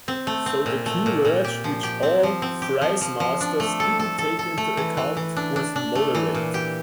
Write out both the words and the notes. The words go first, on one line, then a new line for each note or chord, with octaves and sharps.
So, the keyword which all fries-masters didn’t take into account was - moderate.
C4
A3
C4
A#2
A3
A#2
A#2
G4
F3
G4
C4
F3
C4
G4
F3
F3
F3
D4
A3
A4
A4
A4
A4
A3
E3
E3
E3
D4
D4
D4
A3
E3
A#2
G4